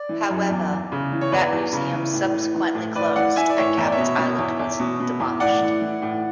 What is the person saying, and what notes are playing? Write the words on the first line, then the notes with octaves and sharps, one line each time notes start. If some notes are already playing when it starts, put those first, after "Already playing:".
However, that museum subsequently closed and "Cabot"s island was demolished.
Already playing: D5
E3
F#2
E2
E2
C#3
E3
C#5
E2 B4 D5
E2
C#3
E3
A2
E3
E3
A2
A2 B4 D5
E3 D5 F#5
E3 E5 G#5
D5
A2 C#5 E5
E2 E5
D5
C#5 E5
B2
B2
E2
E2
B2
B2
E2
A2 D5 F#5
E3
E3
A2